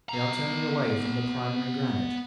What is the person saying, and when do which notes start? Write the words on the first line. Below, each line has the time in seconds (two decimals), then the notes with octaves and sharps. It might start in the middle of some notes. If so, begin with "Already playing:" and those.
We are turning away from the primary granite.
0.09 B3 A#5